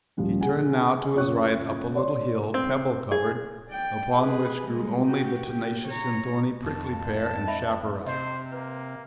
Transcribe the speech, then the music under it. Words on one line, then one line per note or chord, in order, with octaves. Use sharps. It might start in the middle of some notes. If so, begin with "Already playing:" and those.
He turned now to his right up a little hill, pebble-covered, upon which grew only the tenacious and thorny prickly pear and chaparral.
D#1 F3 G3 C#4
G#4 F#5 G#5
F#1 C#4 F4 C#5 C#6 F#6
C#5 D5 C6
C4
G#4
D5 G5
G#4 B4
G3 G#3
F#4 G4
G4
C#5 A#5
F2 A5
D#5 E5 B5
C3 C5 D#5
A#3 B4